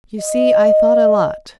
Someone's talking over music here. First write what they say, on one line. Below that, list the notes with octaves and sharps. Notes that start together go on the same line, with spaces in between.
You see, I thought a lot.
D#5